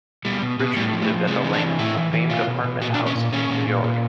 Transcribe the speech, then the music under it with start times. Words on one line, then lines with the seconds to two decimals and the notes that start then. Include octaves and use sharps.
Ritchard lived at The Langham, a famed apartment house in New York.
0.25 B2 G3
0.42 B2
0.59 B2
0.76 A2 G3
0.93 F3
1.02 A3
1.10 F3
1.27 C3 G#3
1.44 E3
1.53 D4
1.62 C3
1.78 A2 E4
1.96 E3
2.13 E3
2.30 B2 F4
2.47 B2
2.64 B2
2.81 A#2 F#4
2.94 D4
2.98 A#2
3.06 C#4
3.15 A#2
3.32 A#2 C#4
3.49 A#2
3.67 A#2
3.84 A#2